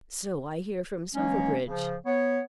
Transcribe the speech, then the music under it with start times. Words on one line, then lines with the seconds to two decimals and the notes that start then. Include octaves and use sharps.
"So I hear from Silverbridge."
1.15 E3 F#3 G#3 A#3 C#4
1.67 C#3 F3
2.06 B3 C#5